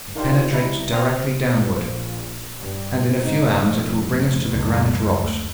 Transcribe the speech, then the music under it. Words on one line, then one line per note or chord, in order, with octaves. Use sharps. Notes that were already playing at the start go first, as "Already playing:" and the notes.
It penetrates directly downward, and in a few hours it will bring us to the granite rocks.
D#3 A#3 D4 F4 G4 C5
C#2 G3 E4 A#5
C4 D#6 F6
A#1
G2
G#2 D#4
F1
C#2 F#2
D2